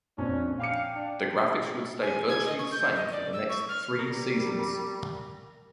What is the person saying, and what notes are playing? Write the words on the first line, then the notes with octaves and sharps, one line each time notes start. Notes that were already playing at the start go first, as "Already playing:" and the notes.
The graphics would stay virtually the same for the next three seasons.
A#1 F2 C#4 D4
F5 G5 D6 C#7
D4
G#5
G#6
D#5
C#6
G6
D#5
D5
E6
C#6
F6
G3 A#4